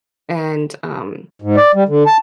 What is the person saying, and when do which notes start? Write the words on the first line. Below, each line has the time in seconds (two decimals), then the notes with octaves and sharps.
and, um,
1.42 G#2
1.57 D5
1.75 G3
1.88 D3
2.06 A5